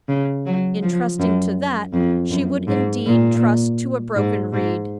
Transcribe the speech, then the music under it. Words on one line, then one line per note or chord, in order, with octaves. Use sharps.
In trusting to that she would indeed trust to a broken reed.
C#3
F#3
F3
F#2
F2
F#2
G#2
A#2
G#2
G#2